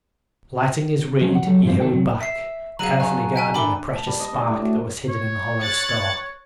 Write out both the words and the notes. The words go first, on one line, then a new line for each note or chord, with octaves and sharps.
Lighting his reed, he hurried back, carefully guarding the precious spark that was hidden in the hollow stalk.
F3 F#3 C#4
F#5
F#3 G4 A4
F#2 E3 G#3 C4 F4
D#3 A4 G5
C3 F#3
E5 B6 C7
F#3 G3 G#4 F5 A#5 F#6 D#7 F#7
G2 C#5 G#5 A5 F#6
E5 G5 G#5 A#5
D#3 D4 A4 E5 G5 B5 D6 G7
A5
G3
D#5
D4
A2
F#4
C#5
F#6 A6 C#7